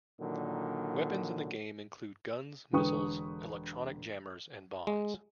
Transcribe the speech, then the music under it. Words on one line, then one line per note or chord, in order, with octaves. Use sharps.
Weapons in the game include guns, missiles, electronic jammers, and bombs.
A#2 D3 D#3 F#3
E1 D3 B4 G5 C#6 D#6
G#3